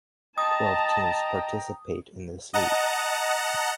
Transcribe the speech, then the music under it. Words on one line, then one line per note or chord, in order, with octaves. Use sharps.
Twelve teams participate in this league.
D#5 G5 A5 A#5 D#6
D#5 F#5 A5 A#5